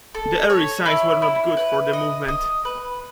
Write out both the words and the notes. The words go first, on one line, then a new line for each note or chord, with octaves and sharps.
The early signs were not good for the movement.
A4
C#5
E4
E4
B4
D#5
D#5
B4